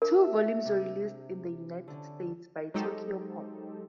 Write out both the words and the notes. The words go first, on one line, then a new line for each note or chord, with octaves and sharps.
Two volumes were released in the United States by Tokyopop.
D4 A#4
E5
C3
D3 C#4
F#3 G#3 D#4 G4 A4 C5